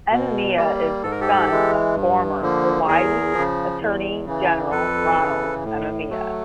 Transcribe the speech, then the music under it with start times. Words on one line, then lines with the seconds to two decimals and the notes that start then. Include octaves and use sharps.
Amemiya is the son of former Hawaii Attorney General Ronald Amemiya.
0.11 B2
0.57 G3 A#3
1.03 G#2 A4
1.12 A#4
1.21 G4 A4
1.49 E3 G#3
1.95 G2
2.41 D3 F3 A#3
2.87 E2 G#4 A#4
3.33 F3
3.38 C#3
3.79 E2
4.26 C#3 E3
4.72 F2 A4 B4
5.18 C#3 E3
5.64 A2
6.10 F#3 A3